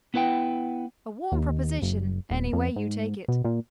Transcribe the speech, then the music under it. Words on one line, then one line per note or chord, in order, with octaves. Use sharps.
A warm proposition any way you take it.
B3 E4 B4 F#5 G5
D#2
F#1
D#1
F2
G#2
B2
A#2